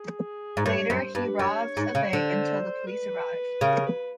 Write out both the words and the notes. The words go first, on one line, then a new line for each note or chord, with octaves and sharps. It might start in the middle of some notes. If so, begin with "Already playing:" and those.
Later, he robs a bank until the police arrive.
Already playing: G#4
G#2
G2 C#5
F#2 C5
G2 B4
F#2 C#5
G#2
C#3
D3 C5
B4
C#3 A#4
B4